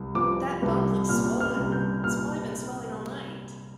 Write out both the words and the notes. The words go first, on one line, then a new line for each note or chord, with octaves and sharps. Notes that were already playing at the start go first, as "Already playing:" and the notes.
That bump looks swollen. It's probably been swelling all night.
Already playing: C2
F3 D6
C2
A#2 F6
F6
C2
G6
A#2 F6